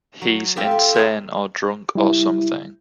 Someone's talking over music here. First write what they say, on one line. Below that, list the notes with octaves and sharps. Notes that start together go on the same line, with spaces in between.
He's insane or drunk or something.
F#3
C4 F4 G4 A4 E5 F5
A4
G#4 A#4 C5 E5
G3 E4